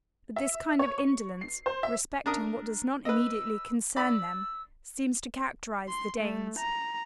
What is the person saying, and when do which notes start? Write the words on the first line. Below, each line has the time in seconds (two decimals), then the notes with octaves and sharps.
But this kind of indolence respecting what does not immediately concern them seems to characterise the Danes.
0.36 E5
0.79 C#5
0.98 C#6
1.41 C7
1.66 C5
1.83 E5
2.26 D4 A#4 D#6
3.05 B4 D#5 E6
3.96 D5 B5 E6
5.89 C6
6.20 A3
6.59 A#5